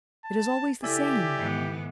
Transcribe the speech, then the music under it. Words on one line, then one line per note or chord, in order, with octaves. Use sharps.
It is always the same.
A5
C#3 E4 G4 A4 D5 E5 G#5
G#2 D#3 E3 B3